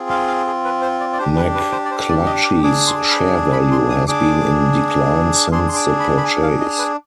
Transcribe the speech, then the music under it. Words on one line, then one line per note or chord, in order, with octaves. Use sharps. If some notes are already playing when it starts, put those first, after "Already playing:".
McClatchy's share value has been in decline since the purchase.
Already playing: C4 F4 G#4
F5
F5
G#4
B4
C5
D5
D5
D4 G4 C5
B4
B4
C5
D5
C5
D5
D#5
D6
D4 G#4 D6
C6
B5
B5
C6
D#6
D4 G#4 D6
D4 G#4 C6
C6
D6
B5
B5
G#5
F5
D#5
B4